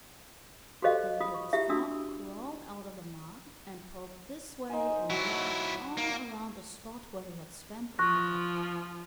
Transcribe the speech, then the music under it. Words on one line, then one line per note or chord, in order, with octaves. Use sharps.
The Biggest Frog crawled out of the mud and poked this way and that all around the spot where he had spent the cold weather.
F#4 G4 A4 C5 D#5 F5
F4 D6 D#6
C#6
E4 F4 G4 E5
D4 F#4 D#6 E6
D#4 C5 G#5
F#3 E4 F#4
A#3
F3 C#6 F#6 A#6